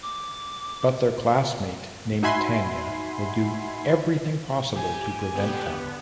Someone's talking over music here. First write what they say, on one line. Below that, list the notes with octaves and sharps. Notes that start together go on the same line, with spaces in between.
But their classmate named Tanya will do everything possible to prevent them.
D6
D#4 F#4 E5 G#5 B5 C6
G4 G#5
D3 B3 G4